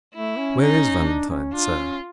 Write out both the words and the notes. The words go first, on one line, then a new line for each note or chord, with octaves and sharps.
Where is Valentine, sir?
A3 E4
C#4
D#4
C#4
D4
C#4
D4 F4
C#4